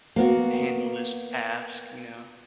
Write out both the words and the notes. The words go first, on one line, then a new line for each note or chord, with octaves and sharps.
handle this task," you know?
A#3 B3 F#4